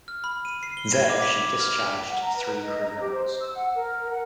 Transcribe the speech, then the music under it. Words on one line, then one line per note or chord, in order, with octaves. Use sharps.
There she discharged three crew members.
F6
B5
D#7
C7
G7
G#6
D6
B6
D6
F6
F#5
A#5
B4
D#5
A#5
G4
C5
E6
F#5
A#4
F#5